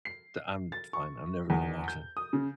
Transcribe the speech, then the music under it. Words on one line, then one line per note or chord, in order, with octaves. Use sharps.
D I'm fine, I'm never gonna watch it.
C7
A6
C#6
E2
G6
D#6
C#3